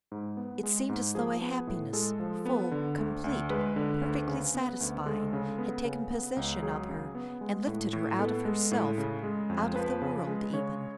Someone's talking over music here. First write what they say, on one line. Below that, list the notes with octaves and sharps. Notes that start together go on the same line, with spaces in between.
It seemed as though a happiness--full, complete, perfectly satisfying--had taken possession of her, and lifted her out of herself-- out of the world even.
G#2
B3
G#3
G#2
F3 G#4
B3
A2
G#3 A4
F3
B3
D3
D2
D2
G#3 B4
D3
D2
C#3
B3
D2
G#3 A4
C#3
B3
C#3
B3
C#2
F#3 G#4
C#3
B3
G#3
A2
A2
B3 A4
G#3
A2
C#3
G#3
F2
F3 B4
C#3
G#3
C#3 C#5